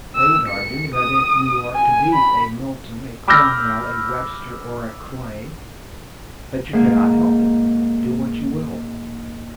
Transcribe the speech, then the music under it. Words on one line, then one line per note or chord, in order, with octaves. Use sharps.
They would argue that if you are to be a Milton, a Cromwell, a Webster, or a Clay, that you cannot help it, do what you will.
E6
C#7
D#6
G#5
B5
B5 D6 E6 F6 G6 A#6
G#2 A#3